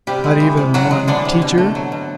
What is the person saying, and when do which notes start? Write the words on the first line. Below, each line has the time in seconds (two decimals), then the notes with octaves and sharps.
"Not even one teacher?"
0.07 C3 G3 G4
0.24 G#3
0.40 E3
0.57 C3
0.74 C3 F#3 F#4
0.91 G#3
1.07 D3 E3 D4
1.25 C3
1.42 B2
1.58 A3
1.75 F#3
1.92 B2